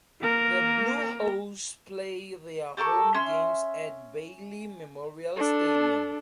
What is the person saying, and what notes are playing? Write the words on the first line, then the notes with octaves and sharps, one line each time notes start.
The Blue Hose play their home games at Bailey Memorial Stadium.
A#3 A#4
G4 A4 A#4 C#6
C#4 E5 C6 F6
D4 A4